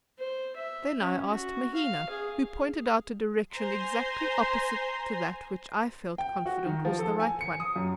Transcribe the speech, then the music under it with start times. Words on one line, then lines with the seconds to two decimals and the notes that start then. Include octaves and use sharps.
Then I asked Mahina, who pointed out a direction exactly opposite to that which I felt confident was the right one.
0.18 C5
0.56 E5
1.00 C#4
1.30 F#4
1.75 F5
2.09 G#4
3.54 C5 G#5 A#5 C6
6.18 G5
6.46 F#4
6.66 D#3
6.85 F3
6.99 A4
7.20 G#5
7.41 C#7
7.60 D#6
7.76 F#2